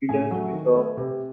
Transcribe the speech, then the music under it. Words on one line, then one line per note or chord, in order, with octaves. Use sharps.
He does switch off.
A2 G#5
F#3 A3
D#3
A3
C3